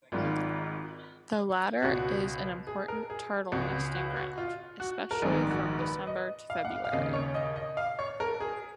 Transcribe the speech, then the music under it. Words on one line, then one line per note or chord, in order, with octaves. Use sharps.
The latter is an important turtle nesting ground, especially from December to February.
G#1 G#2 D#3 F4
C#2 B2 F#4
G#4
A#4
G#4
C#2 C#3 F#4
F#4
F#4
F4
F#4
A#4
A#1 G#2 D#3 G#4
F#4
B4
D#5
F5
F#5
F5
F5
D#2 C#3 D#5
C#5
D#5
D#5
F5
C#5
A#4
G#4